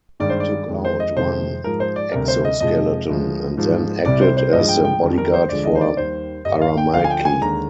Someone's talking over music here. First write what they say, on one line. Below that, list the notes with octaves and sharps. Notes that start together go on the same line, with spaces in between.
He took out one exoskeleton and then acted as the bodyguard for Aramaki.
G2 D#3 G#3 D5
C5
D5
F2 D#3 G#3
C5
D#5
F2 C3 D#3 G#3 C5
G#2 F3 G#3 A#4
C5
D5
D2 C3 G3 A#4
C5
D#5
F2 C3 F3 G#3 D#5
D2 D3 F3 G#3
G#2 F3 G#3
C2 C3 G3 D5
C5
C5
G2 F3 G#3 D#5
G5
G5
F2 D#3 G3
A#4
C5
D2 D3 F3 G#3 D5
D#5
C5
D5
D#2 D#3 G3 C5
G2 D3 G3 D#5
F5
G5
D2 D3 F3 F5
G#5
G5
G#5
D#2 D3 G#3 A#5